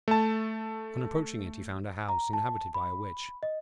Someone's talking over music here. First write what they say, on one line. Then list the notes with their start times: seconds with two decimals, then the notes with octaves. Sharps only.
On approaching it, he found a house inhabited by a Witch.
0.08 A3 A5
2.09 A#5
2.33 A5
2.74 B5
3.43 D#5